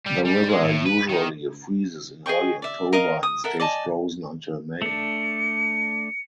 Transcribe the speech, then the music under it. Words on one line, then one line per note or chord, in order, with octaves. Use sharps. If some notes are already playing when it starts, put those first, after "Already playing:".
The river usually freezes in early October and stays frozen until May.
G3
G3
G#3
A2
B4
D#3
G#4 D#5 G5 C#6
D5 E5
A#4 D#5 F5
D#6
A4 A#4 E5 F#5
D5 D#5 G#5 A5
A3 D4 C#7